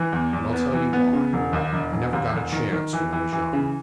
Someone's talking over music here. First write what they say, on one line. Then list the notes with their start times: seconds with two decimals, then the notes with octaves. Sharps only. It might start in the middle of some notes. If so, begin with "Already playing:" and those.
And I'll tell you why; I never got a chance when I was young.
Already playing: E3
0.12 E2
0.33 E2
0.53 B3
0.73 E3
0.93 B3
1.13 C#3
1.33 E1
1.53 D#2
1.73 E1
1.92 E1
2.13 D#2
2.33 E1
2.52 D#3
2.73 D#3
2.93 E3
3.13 E3
3.33 E3
3.53 C#3